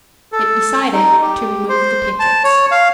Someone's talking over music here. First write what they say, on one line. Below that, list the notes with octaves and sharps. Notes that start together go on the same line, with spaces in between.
It decided to remove the pickets.
A4
D#4
G4
C5
A5
C#5
F5